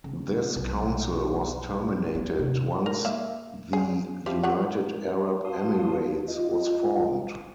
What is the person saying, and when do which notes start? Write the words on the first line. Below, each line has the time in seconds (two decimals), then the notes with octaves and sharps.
This council was terminated once the United Arab Emirates was formed.
0.04 C#3
0.56 B1
2.15 D4
2.39 C3
2.86 A#4
3.05 A#3 E5
3.73 G#4
4.26 F3 E4 G4
4.43 G4 C#5 F#5
4.95 A#4
5.45 F#4 F5 A5 C6 D#6
6.28 F4 D#5